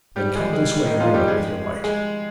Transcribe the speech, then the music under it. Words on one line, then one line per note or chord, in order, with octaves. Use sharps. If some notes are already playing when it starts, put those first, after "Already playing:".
'Then come this way a moment with your light.'
G3 G4
G#3 G#4
G#3 G#4
D#3 D#4
F3 F4
G3 G4
G#3 G#4
G#3 G#4